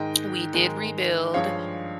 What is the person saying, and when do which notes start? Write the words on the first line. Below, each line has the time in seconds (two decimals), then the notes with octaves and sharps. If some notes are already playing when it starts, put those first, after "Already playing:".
we did rebuild
Already playing: G#2 D#3 G#3 D#5 G5
0.54 G#2 D#3 G#3
1.34 G2 F3 G#3 C#5 F5